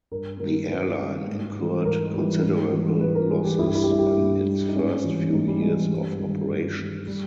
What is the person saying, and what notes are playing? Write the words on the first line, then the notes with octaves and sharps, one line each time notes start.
The airline incurred considerable losses in its first few years of operations.
G2 A#4
D#3 G3 A#4
G2 B4
D#3 G3
G#2
E3 G3
G#2 A#4
E3 G3
G#2
E3 G3
G#2 B4
A#4
E3 G3 G#4
G4
G2 E4
G4
E4
G4
G3 E4
G4
E4
G2
G3
D#4
G#2 C#4
E3 G3
G#2 G#3
G3
E3 G3 G#3
G3
G2 G3
D#3 G3
G2
D#3 G3
G3